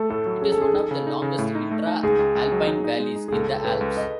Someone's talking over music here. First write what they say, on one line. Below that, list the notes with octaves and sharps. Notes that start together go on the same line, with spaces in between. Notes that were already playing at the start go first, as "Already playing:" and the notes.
It is one of the longest intra-alpine valleys in the Alps.
Already playing: A3 A4
A2 A4
F#3
C#4 G#4
A4
C#4 G#4
D#4 A4
C#3
D#4
C#3
A2
D#4
A3
D#4
C#2 G#4
C#2
C#2
F#3
D#4
D#4
G#3
D#4
G#4
C#2 A4
C#2
A4
C#2 B4
C#2
D#5